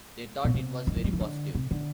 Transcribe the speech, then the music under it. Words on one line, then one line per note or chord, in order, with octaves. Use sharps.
They thought it was very positive.
B2
C3
D3
E3
G3
E3
D3
C3
D3